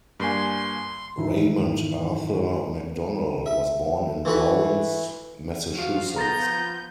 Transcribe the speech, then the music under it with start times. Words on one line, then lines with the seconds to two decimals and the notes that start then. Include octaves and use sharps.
Raymond Arthur MacDonnell was born in Lawrence, Massachusetts.
0.20 G2 A#3 G#5 C6
1.18 G#2 D#3 E3 D#4 E4
3.46 E5
4.25 E3 A3 F#4 B4
5.72 F3 F4 F#4 F5
6.16 B3 A#5 G6 A6 A#6